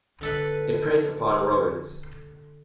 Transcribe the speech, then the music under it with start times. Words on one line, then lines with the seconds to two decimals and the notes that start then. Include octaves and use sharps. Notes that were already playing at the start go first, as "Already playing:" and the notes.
It preys upon rodents.
0.21 D3 A4 B4